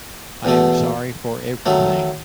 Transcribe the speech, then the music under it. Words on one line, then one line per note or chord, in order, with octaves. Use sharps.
I am sorry for everything.
E2 B2 A3
D#3 F#3 A3